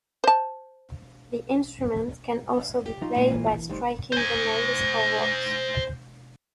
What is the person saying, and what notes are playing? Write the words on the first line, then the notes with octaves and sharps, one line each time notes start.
The instrument can also be played by striking the nails or rods.
C5 A5
G4
F#3 D#4 F4
A#2 G#3
E3 A#3
D2 G3 D#4 C5
C5 G#5